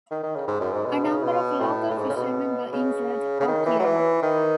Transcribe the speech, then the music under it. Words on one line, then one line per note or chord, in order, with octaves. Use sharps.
A number of local fisherman were injured or killed.
D#3
D#3
C#3
G#2
F#2
G#2
B2
C#3
B2
A2
A2
G#2
C#3
B2
C#3
C#3
D#3
E3
F#3
E3
D#3